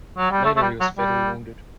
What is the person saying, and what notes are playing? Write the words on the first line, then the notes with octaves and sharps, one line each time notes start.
Later he was fatally wounded.
F#3
G3
A3
A3
G3
F#3
G3